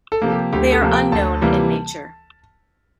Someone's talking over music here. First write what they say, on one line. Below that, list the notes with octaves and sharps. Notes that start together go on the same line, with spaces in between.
They are unknown in nature.
A4
C3 F3 A#3
G4
D2 G4
A4
C3 F3 A#3
G5
D2 A5
C3 E3 G3 A#3